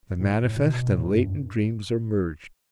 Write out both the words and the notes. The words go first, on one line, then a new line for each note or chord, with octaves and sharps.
The manifest and latent dreams are merged.
A2
A2
B2
A2
G2
F#2